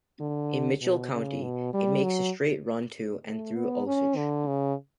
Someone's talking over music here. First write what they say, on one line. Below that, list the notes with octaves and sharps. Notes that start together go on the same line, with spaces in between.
In Mitchell County, it makes a straight run to and through Osage.
D3
B2
C#3
B2
G3
F#3
A3
B3
C#4
D3
C#3